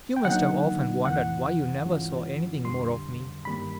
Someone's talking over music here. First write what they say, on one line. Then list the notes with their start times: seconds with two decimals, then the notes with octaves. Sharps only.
You must have often wondered why you never saw anything more of me.
0.16 G5
0.25 D3 F#3 A#3 D#4 F#5
1.05 F2 C3 E3 F#5
1.85 G2 E3 G#3 C#4 F4
2.65 F2 D3 G3 C6
3.45 G2 D#3 G3 A#3 B5